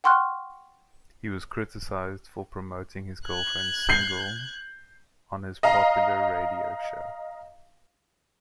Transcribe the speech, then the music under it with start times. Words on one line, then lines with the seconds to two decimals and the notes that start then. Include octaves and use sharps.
He was criticised for promoting his girlfriend's single on his popular radio show.
0.04 F#5 G5 C6 C#6 F6 F#6
3.25 F#6 G#6
3.89 G6 C7
5.63 D#5 F5 A#5